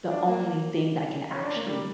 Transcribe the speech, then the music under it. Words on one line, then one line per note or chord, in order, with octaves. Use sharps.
the only thing that can actually
D4
A#3
C#4
D4
A#3
G3